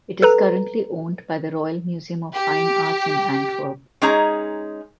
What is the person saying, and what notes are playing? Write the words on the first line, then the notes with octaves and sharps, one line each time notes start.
It is currently owned by the Royal Museum of Fine Arts in Antwerp.
A4 B4 A#5
G4
G#3 C#4 D#4 G#4 A#5